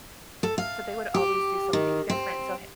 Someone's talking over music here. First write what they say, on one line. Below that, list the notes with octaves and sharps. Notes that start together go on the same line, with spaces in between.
so they would always do something different, so h
A4
F5
G4
D#3
C4